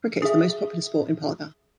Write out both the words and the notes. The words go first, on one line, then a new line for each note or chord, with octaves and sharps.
Cricket is the most popular sport in Palghar.
G#4 E5